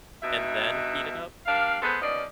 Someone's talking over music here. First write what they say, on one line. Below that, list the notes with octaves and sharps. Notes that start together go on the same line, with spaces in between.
and then heat it up
G2 B2 D#4 E5
G3 D4 A#4 F5
G#3 B3 G#4 A4 C5
D#2 F3 B3 C#4 D5 D#5